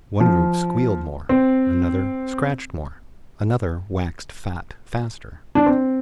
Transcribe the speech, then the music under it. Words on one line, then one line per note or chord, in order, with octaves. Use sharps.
One group squealed more; another scratched more; another waxed fat faster.
F3
C4
D4
C4